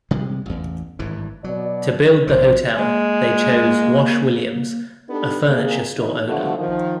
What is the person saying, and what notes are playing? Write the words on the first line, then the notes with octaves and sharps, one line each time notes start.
To build the hotel, they chose Wash Williams, a furniture store owner.
C3 G3 G#3
A1 E2
G#1 G2 E3
B2 F#3 D5
A#1 D3 C5
G#3 A#3
B3 D4 D#4 G4 A4 B4
C3 A#3 G#4
B2 E3 D#4
B2 D3 F3 G3 A3 F#4
D#3 F3